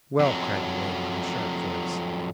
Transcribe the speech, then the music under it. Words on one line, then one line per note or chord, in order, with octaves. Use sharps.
"Well," cried Milady, in a sharp voice.
F2 F#3